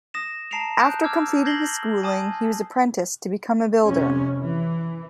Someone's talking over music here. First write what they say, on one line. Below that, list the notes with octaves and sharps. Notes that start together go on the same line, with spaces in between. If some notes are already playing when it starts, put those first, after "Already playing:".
After completing his schooling, he was apprenticed to become a builder.
D#6 A#6 E7
A5 A#5 C7 D7 E7 F7
A5 D#6 F#6 G6 D7
D6 E6 F6 G#6
G6 G#6 A#6 C7 F#7 G7
G#5 A5 D#6
F2 C3 G3 C#4
E3